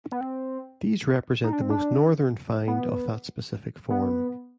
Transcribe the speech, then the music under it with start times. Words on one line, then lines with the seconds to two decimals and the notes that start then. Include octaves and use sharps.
These represent the most northern find of that specific form.
0.12 B3
0.21 C4
1.44 D#4
1.53 D4
1.61 C4
1.70 D4
2.67 B3
3.90 B3